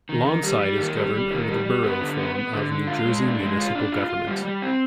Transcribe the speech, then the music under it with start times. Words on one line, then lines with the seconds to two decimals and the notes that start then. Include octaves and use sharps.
Lawnside is governed under the Borough form of New Jersey municipal government.
0.09 D#3
0.26 D#3
0.43 G3
0.61 G3
0.78 D#3
0.95 G3
1.14 G3
1.31 D#3
1.48 G3
1.65 G3
1.83 B3
2.00 D3
2.17 B3
2.35 B3
2.53 D3
2.71 D3
2.87 F4
3.05 G#3
3.23 D4
3.40 G#3
3.58 F4
3.75 D4
3.92 F4
4.10 F4
4.27 G3
4.45 G3
4.62 C4